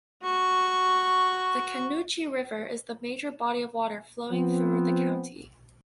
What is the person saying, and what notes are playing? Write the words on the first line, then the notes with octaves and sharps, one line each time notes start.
The Canoochee River is the major body of water flowing through the county.
F#4 C#6
F3 B3 C4